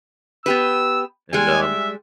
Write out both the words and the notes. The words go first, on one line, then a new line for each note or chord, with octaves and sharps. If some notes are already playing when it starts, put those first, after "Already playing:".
And um
B3 G4 B4 E6
G3 G#3 G#5
E5